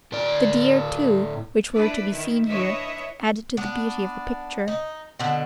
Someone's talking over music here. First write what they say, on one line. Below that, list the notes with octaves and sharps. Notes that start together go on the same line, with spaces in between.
The deer, too, which were to be seen here, added to the beauty of the picture.
A2 D5
D4 E4 B4 D5
D#3 E4
D4 E4 B4 C#5 D#5 E5
B3 D4
D#4
B2 D3